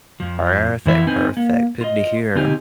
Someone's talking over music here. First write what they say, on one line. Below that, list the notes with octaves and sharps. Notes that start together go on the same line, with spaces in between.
Perfect, perfect, good to hear.
F2 F3
F2 E3 E5
C4 D#4 B4 G#5
A#3
F4 D#5
D3 C4 D#4 G4 G#5